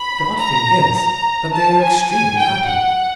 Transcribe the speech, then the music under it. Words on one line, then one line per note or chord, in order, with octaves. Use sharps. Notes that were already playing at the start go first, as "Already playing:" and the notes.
The odd thing is that they are extremely happy.
Already playing: B5
A#5
A#5
A5
G#5
G#5
G5
F#5